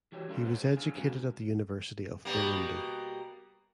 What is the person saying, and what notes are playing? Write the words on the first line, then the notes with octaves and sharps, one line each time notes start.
He was educated at the University of Burundi.
E3 F#4 G4 C#5
A2 G3 C#4 F4 A4 A#4
A4 C5 C#5 F#5
G#4
D4 F5 G#5
G#3 B3 C4 F#4
B2 G3 A#3